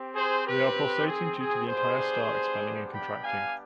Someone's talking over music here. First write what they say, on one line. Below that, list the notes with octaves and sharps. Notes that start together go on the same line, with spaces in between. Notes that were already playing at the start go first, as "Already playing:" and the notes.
They are pulsating due to the entire star expanding and contracting.
Already playing: C4 G4
G#4 C5
G4 B4
G#4
G#4
G3 B3 D4 G4 G#4 C5
G5 B5
F5 G#5